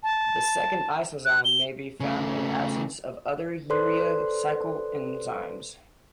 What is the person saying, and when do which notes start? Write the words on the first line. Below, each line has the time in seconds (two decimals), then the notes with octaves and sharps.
The second isozyme may be found in the absence of other urea cycle enzymes.
0.03 A5
1.25 F#6
1.45 G7
2.00 C#3 A3
3.70 A4 B4 C5 D5 C6 F#6